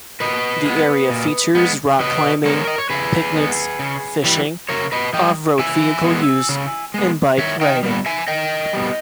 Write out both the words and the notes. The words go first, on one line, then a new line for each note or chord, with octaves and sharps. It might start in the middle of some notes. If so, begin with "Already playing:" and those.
The area features rock climbing, picnics, fishing, off-road vehicle use and bike riding.
A#2 B4 D#5
G#3 B3
A#2
G#3 B3
C#3 B4 D#5
G#3 B3 A#4 C#5
D#5
C#5
C#3 G#4 B4
G#3 B3
C#3
E3 G3
C#3 A#4 C#5
B4 D#5
E3 G3 D#5 G5
C#3 E5 G#5
G#3 B3
C#3
G#3 B3
D#3 C#5 E5
D#5 G5
G3 B3
E5 G#5
D#3 D#5 G5
G3 B3